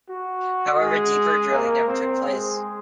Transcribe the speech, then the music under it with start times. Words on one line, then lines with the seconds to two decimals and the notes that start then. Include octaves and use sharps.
However, deeper drilling never took place.
0.08 F#4
0.80 G#3 G#4
1.51 A#3 A#4
1.87 C4 C5
2.23 G#3 G#4